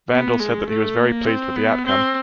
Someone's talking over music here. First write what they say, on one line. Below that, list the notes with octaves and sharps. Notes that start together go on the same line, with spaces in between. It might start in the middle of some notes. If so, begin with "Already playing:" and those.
Vandal said that he was very pleased with the outcome.
B3
G#3
A3
A#3
C4
B3
C4